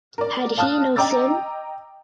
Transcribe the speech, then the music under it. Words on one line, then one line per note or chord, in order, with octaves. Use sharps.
Had he no sin?
A#4 D5
F5 A5 D#6 F6 F#6
D#5 G5 A#5 D6 E6 A6